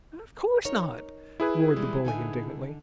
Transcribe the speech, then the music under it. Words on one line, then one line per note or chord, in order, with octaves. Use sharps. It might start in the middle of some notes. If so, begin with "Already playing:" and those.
"Of course not," roared the bully, indignantly.
D#4 A#4 C#5
E4 G#4 B4
E3 G3 G#3
D3 D#4 G#5